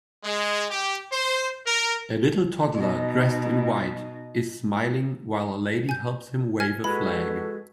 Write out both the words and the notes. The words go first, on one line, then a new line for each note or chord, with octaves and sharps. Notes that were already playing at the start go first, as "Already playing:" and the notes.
A little toddler dressed in white is smiling while a lady helps him wave a flag.
G#3
G4
C5
A#4
B2 D#4
G#5 G6
G#5 F6 G#6
G#3 F#4 A4 B4 B5